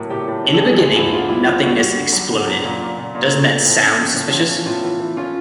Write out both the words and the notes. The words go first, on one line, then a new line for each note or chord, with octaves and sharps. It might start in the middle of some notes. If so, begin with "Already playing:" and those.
In the beginning, nothingness exploded. Doesn't that sound suspicious?
Already playing: A2 F#3 A#3
A2 G4
A2
A2
A4
G3 G#4
D2 A4
G#4
D2 E4
D3 F4
G3 E4
D2 F4
G3 F#4
G3
D3
F#2
D3
F#2
A#2
A#2
A#2
A#2
A3
A3
A2
C#4
F3
A2
F3
C#4
A2 F4
E3
E3
C#4 F4